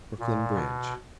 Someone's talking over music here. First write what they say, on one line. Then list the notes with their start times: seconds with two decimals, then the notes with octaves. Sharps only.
Brooklyn Bridge.
0.19 A#2
0.55 B2